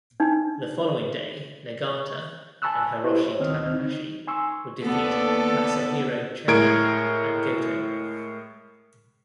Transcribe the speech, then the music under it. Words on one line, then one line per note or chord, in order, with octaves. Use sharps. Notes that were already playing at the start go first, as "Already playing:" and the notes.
The following day, Nagata and Hiroshi Tanahashi would defeat Masahiro Chono and Goto.
D4 D#4
G#5 A5 B5 C#6 E6 F#6
E4 G4 A4 B4 C5
C#5
C#2 D#3 C4 D#5 F6
D#4
G#5 C6 C#6 E6
D#2 B3 A4 D5
A2 G#3 A#4 A#5 G#6 D7